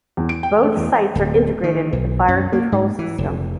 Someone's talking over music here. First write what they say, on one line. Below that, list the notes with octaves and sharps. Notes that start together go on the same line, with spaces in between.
Both sights are integrated with the fire-control system.
E2
D7
G5
A3
E2
D1
D#3
B1
F#2
A#3
G#2
E3
F1